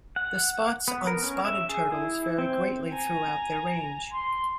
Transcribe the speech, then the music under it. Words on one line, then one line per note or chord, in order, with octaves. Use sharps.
The spots on spotted turtles vary greatly throughout their range.
F#5
B3
A#4
C#4
E5
G#4
E4
C4
G#5 A#5
C6